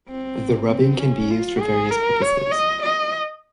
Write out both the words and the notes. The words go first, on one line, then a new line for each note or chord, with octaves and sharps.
The rubbing can be used for various purposes.
C4
C4
C#4
F4
G#4
A#4
C#5
D#5
D#5